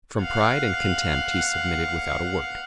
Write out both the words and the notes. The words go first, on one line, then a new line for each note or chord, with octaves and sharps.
From pride and contempt he submitted without a word.
F5 F#5